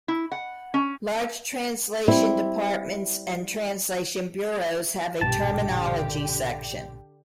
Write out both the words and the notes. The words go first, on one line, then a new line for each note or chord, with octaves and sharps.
Large translation departments and translation bureaus have a "Terminology" section.
E4
F#5
C#4
G3 C4 E4
A#1 G2 B2 D3 G4 A5